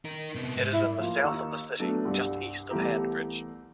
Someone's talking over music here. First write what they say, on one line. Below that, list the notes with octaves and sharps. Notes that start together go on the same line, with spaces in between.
It is in the south of the city, just east of Handbridge.
D#4 A#4
C3 B3
G#2
E4
F3 A#3 F4 A#4
D#2 D#4 F5 C#6 E6
F#3 A3 B3 D4
C2 G2
C2 E3 A3 B3 G4 A#5